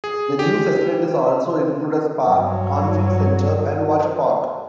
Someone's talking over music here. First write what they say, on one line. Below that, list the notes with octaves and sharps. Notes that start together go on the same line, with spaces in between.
The new facilities also include a spa, conference center and water park.
G#4
G4
G2 F#3